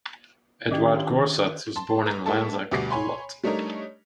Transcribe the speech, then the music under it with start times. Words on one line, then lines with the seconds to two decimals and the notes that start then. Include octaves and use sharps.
Edouard Goursat was born in Lanzac, Lot.
0.71 D#3 C#4 D4 G4 G5
1.76 A5 C6
2.06 B4 A#5
2.26 G#3 A#3 E4 A4 A5
2.71 D2 B2 G3 D6 C7
2.90 C#5 G#5 B5 C6
3.44 G3 A3 D4 D#4 A#4 C#5